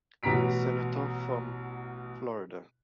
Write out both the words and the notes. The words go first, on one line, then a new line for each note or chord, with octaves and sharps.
Senator from Florida.
A1 B2 B3 A#5 B6 D7